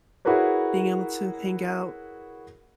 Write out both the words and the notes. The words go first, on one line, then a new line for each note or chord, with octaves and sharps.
being able to hang out.
E4 F#4 G#4 A#4 B4 C#5